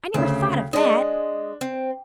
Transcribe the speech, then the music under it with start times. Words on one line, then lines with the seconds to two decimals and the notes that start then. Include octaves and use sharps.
I never thought of that.
0.14 D2 C#3 C4
0.73 G#3 D4 D#5
1.61 C4